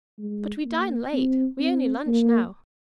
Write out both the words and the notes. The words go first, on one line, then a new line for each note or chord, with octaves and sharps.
But we dine late, we only lunch now.
G#3
A#3
C4
C4
A#3